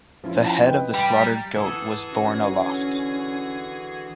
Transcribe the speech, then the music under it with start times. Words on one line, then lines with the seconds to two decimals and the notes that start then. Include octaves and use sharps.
The head of the slaughtered goat was borne aloft.
0.24 F3 C#4 E4
0.59 B4 D#5 G5
0.95 G3
1.11 A#5
1.56 E3 G#4 A4 F#5 A5 D#6
2.11 D3 C#4 F#4